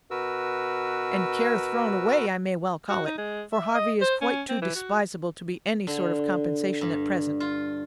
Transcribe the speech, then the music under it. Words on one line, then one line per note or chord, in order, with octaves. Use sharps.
"And care thrown away I may well call it; for Harvey is quite too despisable to be any sort of compensation at present."
B2 F#4 A#4 B4 E6
F#4
D#4
G#3
E5
D#5
C5
C#4
C4
E3
F#4
D3
G2
F4